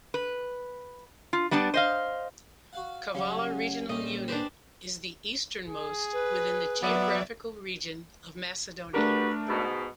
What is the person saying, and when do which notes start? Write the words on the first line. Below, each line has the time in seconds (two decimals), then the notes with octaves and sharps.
Kavala regional unit is the easternmost within the geographical region of Macedonia.
0.14 B4
1.33 F4
1.51 G3 B3 D4 A5
1.74 C5 D#5 F5
2.73 F#4 F5 F#5
3.15 C#3 F#3 G3 C#4 F5 F#5
3.89 A#2 G3 A3 A#3 C4 C#4 D#5
4.28 D4 G4 G#4 B4 C5
5.67 G#4
6.13 B4
6.83 F#3 B3 D5 E5
8.94 A3 D4 F#4 G4 A#4 B4
9.49 G#2 B2